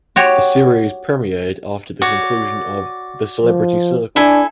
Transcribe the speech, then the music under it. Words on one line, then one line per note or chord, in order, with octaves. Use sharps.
The series premiered after the conclusion of "The Celebrity Circle".
F#4 G4 C#5
F#4 C#5 D5
F3
D4 E4 A4 G#5